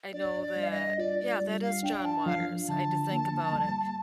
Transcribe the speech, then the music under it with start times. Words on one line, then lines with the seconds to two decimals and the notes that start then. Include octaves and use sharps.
I know that Yeah, that is John Waters. I had to think about it.
0.13 D4 D5
0.42 D5
0.56 G3
0.64 F5
0.71 D#5
0.98 F4 D5
1.20 D5
1.41 G3
1.63 F5
1.83 D4 G5
2.05 A5
2.26 F3 F5
2.69 D3 A5
3.11 A#3
3.53 G3